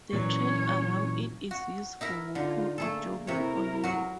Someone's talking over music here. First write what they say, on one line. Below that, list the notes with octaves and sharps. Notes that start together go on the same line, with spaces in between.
The trail around it is used for walking or jogging all year.
A#2 E3 F#3 C#4 C#5
F#4
D#4 E4 A#4
D3 D#4 F4
A3 A#3 G#4 A4
C3 E4 A#4 C#5
F#3 F#4